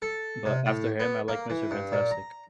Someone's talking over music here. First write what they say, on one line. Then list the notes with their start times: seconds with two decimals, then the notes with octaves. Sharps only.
But after him, I like Mister Fantastic.
0.02 A4
0.46 C3
0.66 A2
1.00 B3
1.28 A#3
1.50 E3
1.71 G2
1.92 A#2
2.10 A#5